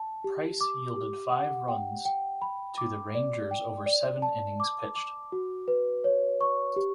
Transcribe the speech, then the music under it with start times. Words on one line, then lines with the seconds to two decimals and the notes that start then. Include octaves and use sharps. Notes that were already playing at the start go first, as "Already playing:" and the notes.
Price yielded five runs to the Rangers over seven innings pitched.
Already playing: A5
0.24 G4
0.61 D6
0.96 G4
1.32 F#5
1.68 G5
2.05 G5
2.42 B5
2.78 D6
3.15 D5
3.51 G5
3.86 D5
4.22 A5
4.60 D6
4.96 D6
5.32 F#4
5.68 B4
6.04 C#5
6.41 C#6
6.76 G4